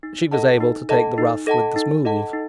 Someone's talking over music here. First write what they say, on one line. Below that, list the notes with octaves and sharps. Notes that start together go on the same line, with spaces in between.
She was able to take the rough with the smooth.
D#4
A4 D#5 F#5 A5
D#4
A4 D#5 F#5 A5
D#4
A4 D#5 F#5 A5
D#4
A4 D#5 F#5 A5
D#4